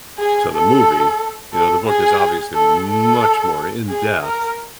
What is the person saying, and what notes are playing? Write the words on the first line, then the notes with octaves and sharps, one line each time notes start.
to the movie, you know, the book is obviously much more in depth,
G#4
A4
A4
G#4
A4
A4
G#4
A#4